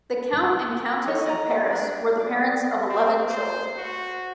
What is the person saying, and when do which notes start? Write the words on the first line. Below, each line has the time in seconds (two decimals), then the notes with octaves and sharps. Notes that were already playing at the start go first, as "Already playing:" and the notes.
The Count and Countess of Paris were the parents of eleven children.
1.07 D#4 A4 C#5
1.26 D5 D#5 F#5 A#5
1.50 G4 F#5
1.72 D4
2.20 D5
2.89 C4
3.29 C5
3.77 F#4